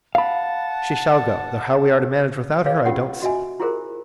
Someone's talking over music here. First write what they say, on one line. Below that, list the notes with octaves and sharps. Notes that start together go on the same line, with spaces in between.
She shall go; though how we are to manage without her I don't see.
F5 F#5 A5 B5
G#4 B4 C#5 F5
C#4 F4 G4 C#5 F#5
F#4 D#5 E5 G#5
E4 F4 G4 G#4 A#4 C5